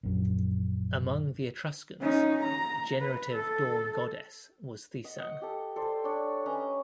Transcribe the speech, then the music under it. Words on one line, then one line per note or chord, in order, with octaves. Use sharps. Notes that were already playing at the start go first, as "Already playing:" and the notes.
Among the Etruscans, the generative dawn-goddess was Thesan.
A#1 F#2
C#4 D#4
A#5
B4
A4
D#5 F#5
D#5 F#5
G4 A4
A4 C5 D5
D4 C#5
C#4 B4 D#5 A#5